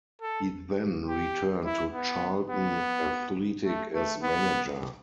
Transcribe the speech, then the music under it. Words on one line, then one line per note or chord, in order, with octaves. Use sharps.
He then returned to Charlton Athletic as manager.
A4
G4
E4
B3
B3
A3
A3
B3